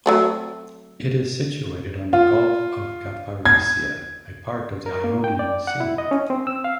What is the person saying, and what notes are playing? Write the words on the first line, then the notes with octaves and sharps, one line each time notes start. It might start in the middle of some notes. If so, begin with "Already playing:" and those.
It is situated on the Gulf of Kyparissia, a part of the Ionian Sea.
F#3 A3 C4
F4
G#6
A#4
A#3
G5
D5
F#5
E4
D#5
C#4
C4
E6
F5